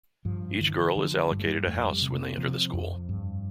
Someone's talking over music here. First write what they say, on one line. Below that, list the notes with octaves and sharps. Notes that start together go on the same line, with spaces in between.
Each girl is allocated a house when they enter the school.
G2 F3
D3 E3
D3 F3
G2 G3
A3
G3
F2 A3
G3
C3
A#3
C3 F3
F2
G2